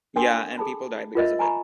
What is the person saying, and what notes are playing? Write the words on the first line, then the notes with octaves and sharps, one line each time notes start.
Ya and people died because of it.
D4 A4 A#4 G5 G#5 C6
G#4 A4 A5 B5
F4 A#4 D#5 E5
F4 G#5 A#5 B5 C#6